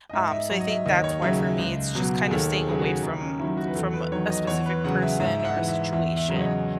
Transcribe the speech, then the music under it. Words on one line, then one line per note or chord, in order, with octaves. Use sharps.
Um, so I think that's why for me it's just kinda staying away from from a specific person or a situation,
D#5
G#2 E5
D#5
E5
F#3 C#5
D#5
E5
D#2 D#5
C#5
C#3 F#3 E5
E5
C#2
B2 F#3
G#4
D#2 A4
G#4
C#3 F#3 G#4
F#4
D#2 D#4
D#4
C#4
D#3 F#3 E4
F#4
B4
E2 A4
B4
D#3 F#3 C#5
D#5
E2 C#5
B4
C#3 F#3 F#5
E5
G#2 E5
E5
F#5
E3
E5
E2 E5
E5
C#3 F#3
D#5
C#5